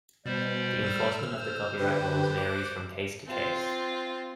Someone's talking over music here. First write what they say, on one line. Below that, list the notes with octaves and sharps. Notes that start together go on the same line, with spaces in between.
The enforcement of the copyright laws varies from case to case.
B2 G3 C5 D5
E6 F6
C5
D3 G4 B4
D6 F#6
C4 F4